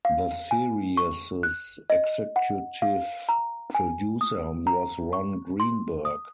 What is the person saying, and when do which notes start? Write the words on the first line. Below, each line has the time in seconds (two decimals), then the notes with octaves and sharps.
The series' executive producer was Ron Greenberg.
0.05 F5
0.51 G#5
0.97 C#6
1.43 F#6
1.90 D#5
2.36 F#5
2.82 F5
3.29 A#5
3.75 G#5
4.21 D#6
4.67 A#5
5.13 C#6
5.60 C6
6.05 D#6